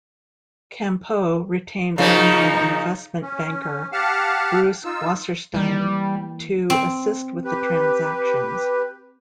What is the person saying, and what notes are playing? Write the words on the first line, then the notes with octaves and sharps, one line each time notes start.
Campeau retained well-known investment banker Bruce Wasserstein to assist with the transactions.
C#3 F3 A#3 D#4
C#4
G4 F5 F#5 A5 F6
D#4 F4 E6
E3 G3 A#3
C4
G4 B4